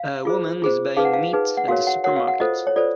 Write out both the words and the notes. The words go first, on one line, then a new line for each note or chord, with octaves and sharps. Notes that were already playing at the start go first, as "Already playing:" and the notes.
A woman is buying meat at a supermarket.
Already playing: F5
F4 G#4 C5
F4 G#4 C5
D#4 G#4 B4 F5
F#5
F5
D#4 G#4 B4
F#5
F#4 A#4 C#5 F5
F#5
F#4 A#4 C#5 F#5
F5
F#5
F4 A4 C5 D#5
C#5
F4 A4 C5 D5